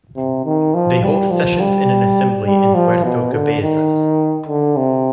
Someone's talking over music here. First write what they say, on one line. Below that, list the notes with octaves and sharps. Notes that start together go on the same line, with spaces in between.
They hold sessions in an Assembly in Puerto Cabezas.
C3
D#3
F3
G3
F3
G3
G3
F3
B2
D3
D#3
D3
C3